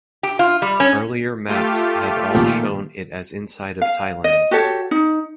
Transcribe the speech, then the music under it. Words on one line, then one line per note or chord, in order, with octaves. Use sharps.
Earlier maps had all shown it as inside of Thailand.
G4
F4
G3
C#4
A3 F4 G4
A#2 D#3 F3
F5
D#5
F#4 G4 A4 C#5
D#4